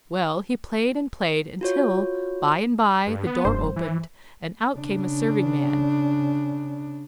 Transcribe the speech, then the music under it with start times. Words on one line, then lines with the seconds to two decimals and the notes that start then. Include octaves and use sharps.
Well, he played and played until, by-and-by, the door opened, and out came a serving-man.
1.61 F4 F#4 C#5
3.07 G2
3.27 B3
3.45 F1 G2 C5
3.76 E3
4.75 C#3 D4